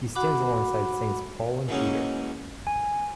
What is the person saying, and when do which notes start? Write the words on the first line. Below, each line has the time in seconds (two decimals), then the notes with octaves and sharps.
He stands alongside saints Paul and Peter.
0.15 F#4 F#5 B5 D6
1.68 E3 F#3 G#3 A#3 C#4 D#4
2.67 G#5